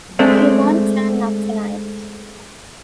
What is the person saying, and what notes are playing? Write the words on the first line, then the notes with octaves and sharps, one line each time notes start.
He won't turn up to-night.
G#3 A3 C4 D4